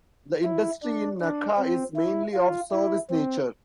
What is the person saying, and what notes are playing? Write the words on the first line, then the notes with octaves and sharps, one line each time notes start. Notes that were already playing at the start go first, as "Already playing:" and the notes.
The industry in Nacka is mainly of service nature.
E4
D4
D4
C4
E4
F4
E4
C4